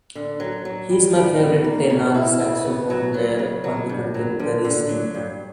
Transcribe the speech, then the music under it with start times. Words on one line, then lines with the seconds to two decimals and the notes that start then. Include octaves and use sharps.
He's my favourite tenor saxophone player on the contemporary scene.
0.15 D3
0.40 F#3
0.65 F#3
0.89 G3
1.15 G3
1.40 B2
1.64 A#3
1.90 B2
2.14 E4
2.39 C#3
2.65 B3
2.90 F#3
3.14 F#3
3.39 C#3
3.64 F#3
3.89 G2
4.14 F#3
4.39 D3
4.64 D3
4.89 F#3
5.14 G2